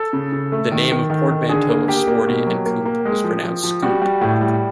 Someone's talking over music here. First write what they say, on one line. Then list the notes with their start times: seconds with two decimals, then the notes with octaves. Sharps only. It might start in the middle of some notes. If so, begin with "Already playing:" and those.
The name, a portmanteau of "sporty" and "coupe," was pronounced "scoop".
Already playing: A4
0.13 C#3
0.32 C#3
0.52 A3
0.71 D#3
0.91 D#3
1.10 D#3
1.30 D#3
1.49 D3 G#4
1.69 A#3
1.88 A#3 G4
2.07 A#3
2.27 B2
2.46 F#3
2.66 A#3
2.86 A#3
3.05 G#3
3.24 F3
3.43 F3
3.63 F3
3.83 G3 F#4
4.02 G3
4.21 A2
4.41 G3